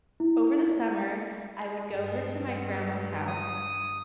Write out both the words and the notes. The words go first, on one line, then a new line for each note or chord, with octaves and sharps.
over the summer I would go over to my grandma's house
E4
G2
D#6